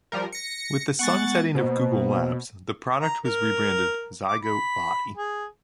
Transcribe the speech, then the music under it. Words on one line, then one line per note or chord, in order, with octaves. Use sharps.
With the sun-setting of Google Labs, the product was re-branded Zygote Body.
F3 G3 A#4
A#6 C#7
G#3 B3 F#5 C#6 A6
B2 A#3 C5
A#5
A#4
D6
B5
G#4